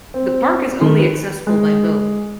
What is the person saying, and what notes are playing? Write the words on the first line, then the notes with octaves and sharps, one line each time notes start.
The park is only accessible by boat.
C4
D#3
B4
G#3